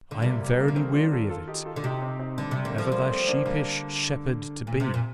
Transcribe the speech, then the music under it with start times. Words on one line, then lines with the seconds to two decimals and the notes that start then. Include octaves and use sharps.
I am verily weary of it, ever thy sheepish shepherd to be.
0.11 D3
0.22 C3 G3 A#3
0.40 G3 A#3
0.58 G3 A#3
0.68 D3
0.76 D#3 A3 C4
0.94 D4 F4
1.12 F4 A4
1.30 F4 A4
1.48 D#4 G4
1.65 F4 A4
1.76 D3
1.84 C3 D#4 G4
2.02 C4 D#4
2.19 C4 D#4
2.37 D3 G3
2.51 C3 G3
2.65 D3 A#3
2.73 F3 A3
2.91 F3 G3 A#3
3.10 A3 C4
3.27 A#3 D4
3.46 D3 G3 A#3
4.67 A#2
4.80 C3
4.94 A#2